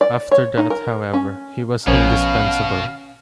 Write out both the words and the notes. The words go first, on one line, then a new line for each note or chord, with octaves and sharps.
After that, however, he was indispensable.
D5
C#5
D#4
A#4
C#4
A#1 B2 C#4 F5